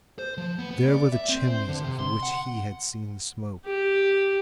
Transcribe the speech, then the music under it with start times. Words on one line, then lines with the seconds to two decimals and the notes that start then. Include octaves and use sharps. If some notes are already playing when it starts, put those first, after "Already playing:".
There were the chimneys of which he had seen the smoke.
0.19 C5
0.38 F3
0.59 B3
0.71 B3
0.88 D5
1.12 E5
1.29 C4
1.47 C5
1.68 D3
1.84 C3
1.99 C6
2.23 F#5
3.65 G4